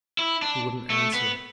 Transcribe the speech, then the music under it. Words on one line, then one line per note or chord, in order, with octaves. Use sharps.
He wouldn't answer.
E4
D4
A3
B3